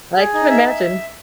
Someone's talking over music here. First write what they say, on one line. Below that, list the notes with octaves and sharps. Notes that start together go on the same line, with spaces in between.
I can imagine.
G#4
D#4
E5
E5